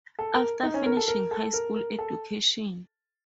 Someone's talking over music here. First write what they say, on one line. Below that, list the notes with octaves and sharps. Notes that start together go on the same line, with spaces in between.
After finishing high school education.
A4
A#4
D#4
C#4
A#4
A4
A#4
A4
A#4
A#4
A4